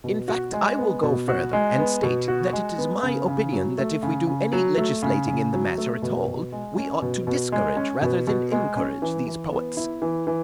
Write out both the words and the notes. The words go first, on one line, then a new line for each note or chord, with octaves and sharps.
In fact, I will go further and state that it is my opinion that if we do any legislating in the matter at all, we ought to discourage rather than encourage these poets.
B2
F#4
G#3
B3
B2
F#4
G#3
B3
B2
F#4
G#3
B3
C#3
C#3
F#3
A3
C#3
C#3
F#3
A3
C#3
C#3
F#3
A3
B2
B2
G#3
C#4
B2
B2
G#3
C#4
B2
B2
G#3
C#4
E3
E3
B3
E4
E3
E3